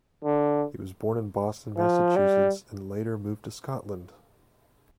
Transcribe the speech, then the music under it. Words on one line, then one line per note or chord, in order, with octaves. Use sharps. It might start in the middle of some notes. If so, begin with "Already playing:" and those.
He was born in Boston, Massachusetts and later moved to Scotland.
D3
F3
G3